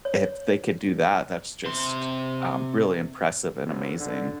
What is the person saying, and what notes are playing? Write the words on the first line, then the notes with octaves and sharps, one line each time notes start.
if they could do that, that's just, um, really impressive and amazing.
C#5
C3 C6
E1
D3